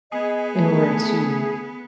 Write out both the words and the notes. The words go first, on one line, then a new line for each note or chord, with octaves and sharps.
in order to
B3 G#4 D#5
A3